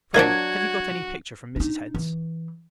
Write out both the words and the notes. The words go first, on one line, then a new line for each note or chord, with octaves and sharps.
Pray, have you got any picture from Mrs. Head's?
F3 F#3 A#3 D4 D#4 F#4 G#6
D4 D#4
E3